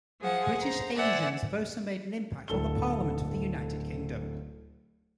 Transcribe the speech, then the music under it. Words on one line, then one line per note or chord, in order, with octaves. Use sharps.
British Asians have also made an impact on the parliament of the United Kingdom.
F3 G#4 C5 F#5
C5 A#5
C5 D5 E5 F#5 G#5
D1 A4 G7